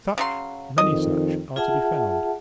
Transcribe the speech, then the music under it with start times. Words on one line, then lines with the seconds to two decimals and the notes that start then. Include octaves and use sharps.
Such, many such, are to be found.
0.18 C#3 F#3 C6
0.78 F2 D#3 D#5
1.56 F4 G#4 E5 F#5 A5